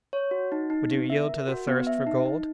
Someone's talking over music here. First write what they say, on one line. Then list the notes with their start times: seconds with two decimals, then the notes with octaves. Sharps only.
Would you yield to the thirst for gold?
0.13 C#5
0.31 F#4
0.52 D#4
0.70 D#4
0.90 B3
1.10 E5
1.29 A#4
1.48 F#4
1.67 B3
1.87 E5
2.07 D#4
2.26 D#4